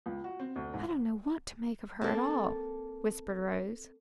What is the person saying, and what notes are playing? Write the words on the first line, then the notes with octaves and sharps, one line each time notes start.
'I don't know what to make of her at all,' whispered Rose.
C#2
F#4
C4
D2
G#2
A#3 C4 A4